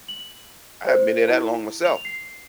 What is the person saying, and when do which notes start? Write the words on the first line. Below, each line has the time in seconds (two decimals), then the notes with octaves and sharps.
I haven't been here that long myself,"
0.08 F#7
0.87 C5
1.28 E4
1.85 F7
2.05 C7